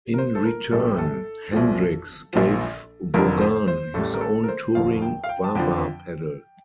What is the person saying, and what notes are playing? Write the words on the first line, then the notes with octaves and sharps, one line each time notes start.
In return, Hendrix gave Vaughan his own touring Wah-wah pedal.
A#4
C5
A4
A#4
A#1 A2 G3 A4
G4
A4
C2 A#2 F3
A#1 A#2 F3
F1 F2 D3 F3 A#4
C5
C5
A1 A2 G3 A4
A#4
A4
A#4
C5
F1 D#2 D3 F3 F5
G5
F5
G5
A5
F2 D3 F3 G5